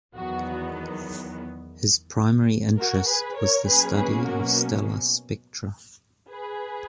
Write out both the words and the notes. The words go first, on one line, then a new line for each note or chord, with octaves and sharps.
His primary interest was the study of stellar spectra.
E2 D#3 F#3 B3 F#4
F#4 A#4
G#4 B4
A#4 C#5
B2 F#3 A#3 C#4 G#4 B4
G#4 B4
F#4 A#4
G#4 B4